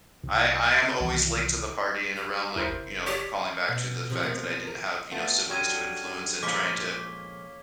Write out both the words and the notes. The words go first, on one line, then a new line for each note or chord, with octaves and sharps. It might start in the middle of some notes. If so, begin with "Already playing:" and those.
I I am always late to the party in a realm, like, you know, calling back to the fact that I didn't have, you know, siblings to influence and trying to,
C2
C2 D#3 E3
G4
D#2 E4 A#4 C5
F#1
G4 C#5 D5
B2
C3 F3
B2 F3 A#3
A#4
A3 B3 F4 A5
D3 F#3 G4 F6 G#6 D#7
A#2 F3 G#3 A#3 C#4 D6 B6 G7